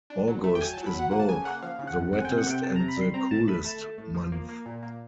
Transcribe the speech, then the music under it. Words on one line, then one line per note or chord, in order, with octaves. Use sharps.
August is both the wettest and the coolest month.
D4
F#3
A3
G5
F#3 G#5
F#3 A5
B5
F#3 F#5
A#3 F#5
A5
C#3 G#5
A#3 F#5
F3 F5
C#3
F#5
F#2
C4 F#5
G#5
C3 G5
F#5
C3 G5
C3 A5
C3 A#5
B5
G3 C6
C4 A#5
A2 A5
A3 B5
A3 A5
A3
A2
F3
A#3
A#3
A#2
A#3